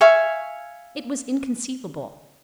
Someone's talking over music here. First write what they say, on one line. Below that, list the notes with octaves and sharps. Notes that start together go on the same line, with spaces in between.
It was inconceivable.
E5 F5 G#5 C#6